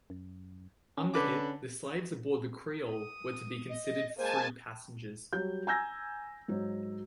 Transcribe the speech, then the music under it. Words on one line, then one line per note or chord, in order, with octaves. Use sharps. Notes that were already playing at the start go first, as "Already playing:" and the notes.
Under it, the 'slaves' aboard the "Creole" were to be considered free passengers.
F#2
C#4
D3 B4 D6
D#6
D#5
G#3 A#3 C5 G#5 A5
F#3 G3 G6
G#5 A#5 E6 G6 G#6 A#6
G#2 F#3